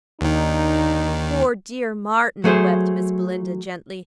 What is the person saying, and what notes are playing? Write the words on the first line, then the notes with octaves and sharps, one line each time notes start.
"Poor, dear Martin!" wept Miss Belinda gently.
D#2 D#3 A#3 D4 D#4
F#3 A3 G#4 C5